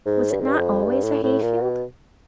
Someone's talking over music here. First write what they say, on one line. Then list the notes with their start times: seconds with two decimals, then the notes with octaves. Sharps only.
Was it not always a hay-field?
0.06 G#2
0.31 G2
0.40 G#2
0.48 G2
0.58 F2
0.84 G2
1.03 A2
1.23 A2
1.42 A#2
1.63 B2